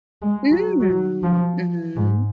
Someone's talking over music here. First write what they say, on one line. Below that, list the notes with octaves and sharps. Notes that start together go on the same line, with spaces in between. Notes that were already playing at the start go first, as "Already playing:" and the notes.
Mm, mhm.
G#3
F#3
F#3
F3
G#2